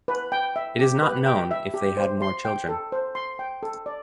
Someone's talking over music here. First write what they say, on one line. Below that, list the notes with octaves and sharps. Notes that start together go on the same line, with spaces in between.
It is not known if they had more children.
B4
G5
E5
G4
B4
G5
E5
G4
C5
C6
G5
A4
C5
C6
G5
A4
D5